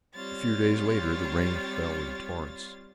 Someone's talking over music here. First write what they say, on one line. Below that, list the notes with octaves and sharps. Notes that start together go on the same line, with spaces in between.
A few days later, the rain fell in torrents.
G3 C4 F4 C#5 A6